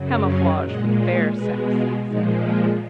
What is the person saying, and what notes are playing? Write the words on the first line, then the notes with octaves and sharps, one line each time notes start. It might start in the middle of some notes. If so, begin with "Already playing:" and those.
"Camouflage for the fair sex," he said.
Already playing: F#2 C#3 F#3
F5 G#5
A#2 G#3 D#5 F#5
C#5 F5
B2 G#3 G#4 B4
F4
A#2 F3 G#3 D#4
F4